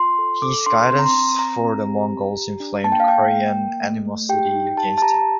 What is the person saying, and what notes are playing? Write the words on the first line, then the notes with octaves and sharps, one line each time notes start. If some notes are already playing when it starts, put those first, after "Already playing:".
His guidance for the Mongols inflamed Korean animosity against him.
Already playing: F4 C6
A4
A4 D6
D4 C6
C4 C6
A#5
C6
C4
C4 A#5
C4
G4
G4
G4
D4
A#3 A5
G5
F5
A#3 G5
A#3
A#3
A3
A3
G4 G5
D#4
G4 A5
A5
G4 A#5